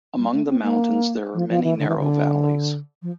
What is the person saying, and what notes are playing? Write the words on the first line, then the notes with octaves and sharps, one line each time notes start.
Among the mountains there are many narrow valleys.
G3
A3
C4
A#3
F3
F3
E3
D3
E3
D3
F3